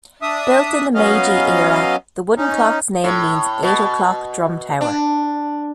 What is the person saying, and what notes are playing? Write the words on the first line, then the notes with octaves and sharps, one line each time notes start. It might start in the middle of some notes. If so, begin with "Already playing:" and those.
Built in the Meiji Era, the wooden clock's name means "eight o'clock drum tower".
D4 E5 D#6
F#3 B3 C#4 D#5 F5
C#4 D#4
A2
B2
D4